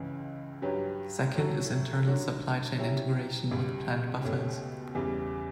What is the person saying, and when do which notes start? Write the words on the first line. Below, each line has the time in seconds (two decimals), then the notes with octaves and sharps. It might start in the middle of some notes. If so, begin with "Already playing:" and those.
Second is internal supply chain integration with planned buffers.
Already playing: C#2 C#3 E3
0.62 G2 F#3 C#4 G4 B4
1.35 A2 F#3 C#4 F#4 A4
2.07 D3 F#3 C#4 F#4
2.78 C#3 F#3 C#4 E4 G4
3.51 C#2 B2 G3
4.22 C#2 B2 A3 C#4 G4
4.95 E2 C#3 E3 G3